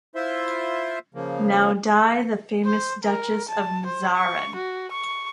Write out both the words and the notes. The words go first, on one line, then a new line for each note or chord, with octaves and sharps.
Now died the famous Duchess of Mazarin.
E4 F4 C5 E5 C6
C#3 F3 A#3
C5
A#4
A5
C5
C#6
F#4
C#6